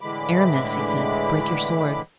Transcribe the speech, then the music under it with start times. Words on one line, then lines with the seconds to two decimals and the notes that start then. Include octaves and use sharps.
"Aramis," he said, "break your sword."
0.01 A2 D3 E3 G#3 B5 D6